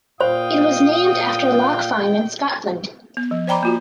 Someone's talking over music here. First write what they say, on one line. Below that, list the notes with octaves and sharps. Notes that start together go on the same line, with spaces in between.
It was named after "Lock Fine" in Scotland.
A#2 C5 F5 G5 D#6
B3
F3
C5 D5 G5 A#5 B5 D6
A#3 F4 F#4